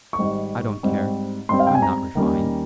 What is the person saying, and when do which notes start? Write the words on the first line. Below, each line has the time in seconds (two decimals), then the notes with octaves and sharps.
I don't care; I'm not refined.
0.13 C#6
0.18 G#1 G#2 G3
0.83 G#2 G3 C4
1.49 G#2 G3 C4 C6
1.59 F5
1.67 G5
1.75 G#5
1.82 A#5
2.15 D#2 D#3 G3 A#3 C#4